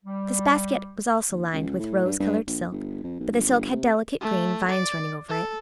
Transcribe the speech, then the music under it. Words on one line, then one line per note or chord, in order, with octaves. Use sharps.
This basket was also lined with rose-colored silk, but the silk had delicate green vines running over it.
G3
D#2
C#2
A2
G2
G2
A#1
G1
F2
B1
G1
G1
C3
A3
D5
A4